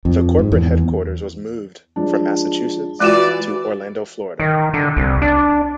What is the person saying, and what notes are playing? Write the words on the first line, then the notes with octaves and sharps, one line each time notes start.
The corporate headquarters was moved from Massachusetts to Orlando, Florida.
F2
G#2
E2
F3 G#3 D4
E3 G#3 F4 F#4 D5
D#3
D3
C2
D4